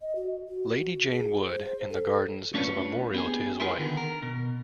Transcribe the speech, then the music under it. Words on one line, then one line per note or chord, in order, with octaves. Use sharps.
Lady Jane Wood in the gardens is a memorial to his wife.
D#5
F#4
F#4
G#4
C5
A4
A3 C#4 D4 F4 B4 C#5
B3 G4 G#4
E4 F4 G4 G#4 A#4 B4
D3 D#3 B3
A#4
B2